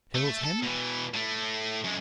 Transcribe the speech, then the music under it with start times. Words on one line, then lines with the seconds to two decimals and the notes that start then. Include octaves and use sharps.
"Killed him?"
0.15 A3
0.45 A4
0.63 B2 E3
1.14 A2 A3
1.84 F#2 G#3